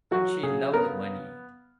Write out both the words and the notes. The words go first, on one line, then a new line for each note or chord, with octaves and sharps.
And she loved money.
F#3 F#4
C#3 G#4
B3 A#4